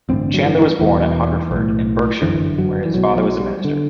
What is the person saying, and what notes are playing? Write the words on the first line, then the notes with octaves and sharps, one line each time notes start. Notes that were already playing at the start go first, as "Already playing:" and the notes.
Chandler was born at Hungerford in Berkshire, where his father was a minister.
A1 G2 D3 C4
F#3
E3
E1 E2 B2 E3
B1
A2
G1 F#2 D3 E3
F#3
E3
B1 B2 F#3
F#3
G3
D3